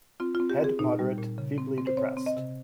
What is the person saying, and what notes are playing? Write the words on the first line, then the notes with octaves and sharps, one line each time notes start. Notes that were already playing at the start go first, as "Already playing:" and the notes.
Head moderate, feebly depressed.
C4 F4
F4
C4
G4
C4 G#4
A#2 D#4
G3
A#2
C#3
C4
C4
C5
C4 C#5
C4
D#5
C3